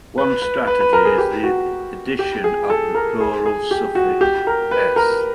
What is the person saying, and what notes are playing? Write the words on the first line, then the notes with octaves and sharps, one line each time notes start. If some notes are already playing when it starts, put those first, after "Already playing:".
One strategy is the addition of the plural suffix "-s".
B4
B4
B4
B4
A#4
G#4
G4
F#4
G4
G#4
A4
A#4
G#4
G#4
G4
F#4
G4
A#4
B4
A#4